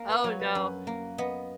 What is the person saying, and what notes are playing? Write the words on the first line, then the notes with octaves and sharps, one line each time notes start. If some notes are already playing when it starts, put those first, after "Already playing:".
Oh no.
Already playing: A#3
B4
F#3 C#5
B4
F#2 B4
A#3
B3 D#5